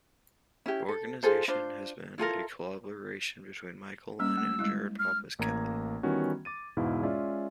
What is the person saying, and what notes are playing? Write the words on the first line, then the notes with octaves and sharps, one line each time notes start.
The organisation has been a collaboration between Michael Lent and Jared Pappas-Kelley.
C#4 E4 G4
A4
F4 G#4 A4 C5
D4 F4 C5
E4 F4 A4 A#4
G3 A#3 C#4 E6
A3
G3 G#3 E4
F6
A1 A#3 A#5 G#6
D#3 E3 G3 B3 C#4 F#4
D6 A6 D#7
E2 G#2 B2 E4 F5
G#3 C#4 F4 D5 E5